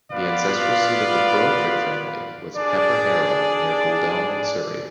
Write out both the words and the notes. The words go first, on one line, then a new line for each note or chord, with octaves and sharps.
The ancestral seat of the Brodrick family was Peper Harrow near Godalming, Surrey.
B3 F4 B4 D5 F5
D4 G#4 D5